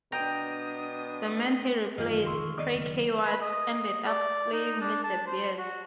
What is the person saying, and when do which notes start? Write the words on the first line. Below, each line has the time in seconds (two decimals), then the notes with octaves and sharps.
The man he replaced, Craig Heyward, ended up playing with the Bears.
0.12 B2 D4 G5 A#5 D#6
1.98 F#2 D#3 E3 F4 G#4 D#5 F5
2.26 F1 A#1 C6 C#6 E6
2.43 E3 G#3
2.58 F2 F3 B3 D5 D#5
2.75 F#1 F#3
3.25 B4
3.41 D#5
3.69 D#5
4.06 D5
4.53 D#4
4.81 D4
5.04 A5
5.27 C5
5.58 F#4